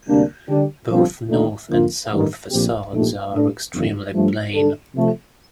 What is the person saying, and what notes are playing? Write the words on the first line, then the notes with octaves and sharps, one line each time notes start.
Both north and south facades are extremely plain.
D2 C3 G3 A#3 D4
D3 G3 D4 G4
G1 G2 F3 C4
D#2 D3 A3 D#4
F2 D3 F3 A#3 F4
A1 G2 D#3
A#1 A#2 F3 C4 G4
A#1 A#2 A3 D#4 G4
A2 A3 D4
G1 F2 D#3 A#3 D4
G2 F3 A3
D3 G3 D4 A4
C3 F3 A3